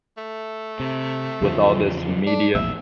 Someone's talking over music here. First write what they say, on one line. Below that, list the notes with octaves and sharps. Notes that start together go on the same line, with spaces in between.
with all this media.
A3
C3
E2 C#3 F3
D4
A#1 E2 A2 E5